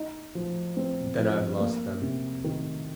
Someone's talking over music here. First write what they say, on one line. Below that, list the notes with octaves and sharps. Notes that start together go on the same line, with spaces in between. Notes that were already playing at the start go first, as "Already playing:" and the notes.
Then I’ve lost them.
Already playing: D#4
F3
C4
F3
A#3
C3
D#3